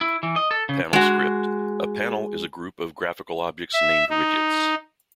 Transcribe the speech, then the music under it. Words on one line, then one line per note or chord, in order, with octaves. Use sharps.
Panel script: a panel is a group of graphical objects named widgets.
E4
E3
D#5
A4
C#3
G#3 F#4
E5
D#4